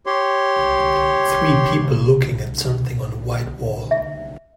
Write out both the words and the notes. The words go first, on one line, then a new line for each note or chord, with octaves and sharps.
Three people looking at something on a white wall.
G4 C#5 C6
E5